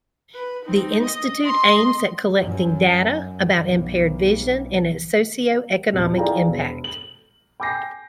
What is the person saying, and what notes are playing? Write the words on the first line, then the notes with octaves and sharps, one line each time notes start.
This institute aims at collecting data about impaired vision and its socio-economic impact.
B4
C4 D#4
D#5
D#5 C6
F#2
B1
D#1 F2
E4 G#4 D5 F5 G5 A#5
E1
F#7
G5 G#5 D6 G6 A#6 C7